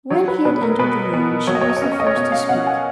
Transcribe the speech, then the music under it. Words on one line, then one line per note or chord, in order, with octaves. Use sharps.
When he had entered the room she was the first to speak.
F#3 C#5
B4
B2 B4
A#4
B2 B4
B2
F#3 C#5
D#5
C#5
D#5
C#5
C#4 D#5
C#5
D#5
C#5
B2 D#5
F5
B2 F#5
G#5